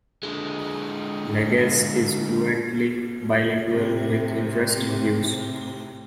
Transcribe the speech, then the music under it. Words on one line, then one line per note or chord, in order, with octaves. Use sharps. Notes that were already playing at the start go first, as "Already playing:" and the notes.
Lagasse is fluently bilingual with interesting views.
D3 G#3
A2 C3